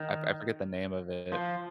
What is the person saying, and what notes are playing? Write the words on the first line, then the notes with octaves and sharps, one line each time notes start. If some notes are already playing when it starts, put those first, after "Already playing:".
I I forget the name of it.
Already playing: D#3
F3